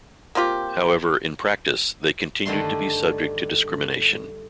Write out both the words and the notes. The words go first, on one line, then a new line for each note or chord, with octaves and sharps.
However, in practice, they continued to be subject to discrimination.
A#3 C4 F4 G4
G2 D3 D#3 A3 C6